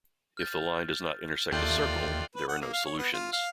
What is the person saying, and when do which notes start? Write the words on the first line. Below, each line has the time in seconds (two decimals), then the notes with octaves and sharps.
If the line does not intersect the circle, there are no solutions.
0.37 F6 G6 A6
1.52 D#2 A3 F4 D5 G5 C6 F#6 G6
2.35 B4
2.48 F#5
2.61 A#3
2.73 F5
2.86 C#5
2.98 B3
3.13 F4
3.32 F5